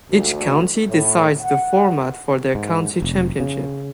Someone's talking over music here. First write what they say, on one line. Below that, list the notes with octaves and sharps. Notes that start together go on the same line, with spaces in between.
Each county decides the format for their county championship.
D2
A2
F#5
G#2
F1
C#3